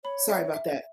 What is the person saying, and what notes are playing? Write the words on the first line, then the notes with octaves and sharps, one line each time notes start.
sorry about that.
C#5 B5
E5
E5